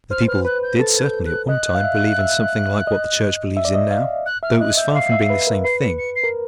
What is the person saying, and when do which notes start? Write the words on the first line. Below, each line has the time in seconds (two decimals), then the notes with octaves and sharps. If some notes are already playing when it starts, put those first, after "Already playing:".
The people did certainly at one time believe in something like what the Church believes in now, though it was far from being the same thing.
0.11 C5 F6
0.28 B4 F6
0.45 B4 F#6
0.63 G6
0.79 A4 A6
0.99 G#6
1.03 G6
1.26 F#6
1.49 D#5 F#6
1.75 F5
1.83 E5
2.19 E5
2.87 D#5
3.57 E5
3.65 D5
3.74 D#5
3.91 F5
4.26 F#6
4.43 E5 F6
4.60 D#5 F#6
4.78 E5 G6
4.95 F5 C7
5.12 E5
5.30 B4
5.47 A#4
5.64 B4 C7
5.81 C#7
5.98 C#7
6.15 C7
6.24 A#4